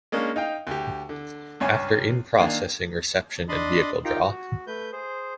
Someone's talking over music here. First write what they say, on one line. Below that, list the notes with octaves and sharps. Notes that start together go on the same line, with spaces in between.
After in-processing, reception and vehicle draw.
G#3 A#3 C#4 D4
D#4 F5 G5
D2 G4
D3
C#2 G2 C#5 E5 G#5
D#3 A#3 D4 F5 G#5
D4 D#5 A5 B5 C6
D#4 F4 G4 A#4 G5 A#5
F#4
A3 B4 G6
G#4 C5